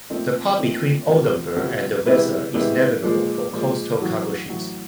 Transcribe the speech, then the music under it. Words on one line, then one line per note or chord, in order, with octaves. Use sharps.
The part between Oldenburg and the Weser is navigable for coastal cargo ships.
A#2 F3 A3 C4 D#4
A#2 F3 A3 C4 D#4
D2 C3 F3
D2 C3 F3
C3 E3 G#3 B3 E4
C3 E3 G#3 B3 E4
A#2 F3 G#3
A#2 F3 G#3
A1 A2 F#3
A1 A2 F#3